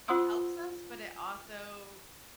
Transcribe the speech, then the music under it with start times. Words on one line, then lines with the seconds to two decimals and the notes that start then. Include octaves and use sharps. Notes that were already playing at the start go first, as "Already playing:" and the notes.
it helps us, but it also
0.08 F4 C5 F#5 C6 D#6 E6